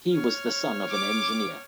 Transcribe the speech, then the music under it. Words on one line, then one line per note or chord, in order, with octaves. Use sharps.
He was the son of an engineer.
C#5 F6
D6